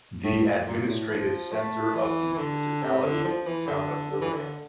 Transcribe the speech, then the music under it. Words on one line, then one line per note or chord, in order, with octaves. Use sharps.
The administrative centre of the municipality is the town of Lillehammer.
A2
A#2
A#2
A2
F3
A3
E3
E3
D3
C3
D3
F3
E3
D3
D3
E3
D3